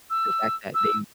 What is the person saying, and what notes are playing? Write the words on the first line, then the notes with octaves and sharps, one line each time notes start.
the fact that they
E6
E6